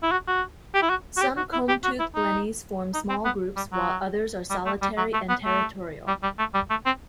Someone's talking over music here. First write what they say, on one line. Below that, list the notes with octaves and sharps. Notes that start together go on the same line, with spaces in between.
Some combtooth blennies form small groups, while others are solitary and territorial.
E4
F#4
F#4
G4
E4
F#4
F#4
G4
F#4
E4
G4
F#4
E4
D#4
D#4
C4
B3
G3
F#3
G3
A3
G3
F#3
A3
B3
A3
G3
G3
A3
G3
A3
C4